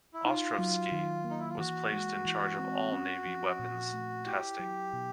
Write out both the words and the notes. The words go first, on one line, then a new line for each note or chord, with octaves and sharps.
Ostrovsky was placed in charge of all Navy weapons testing.
E4
D#4 F4
F#3
D#3
A#3
D#4
E4
F4
E3 F#4
G#3
E3
C4
C#4
F3
A#2
A3
E4 G4
F#3
B2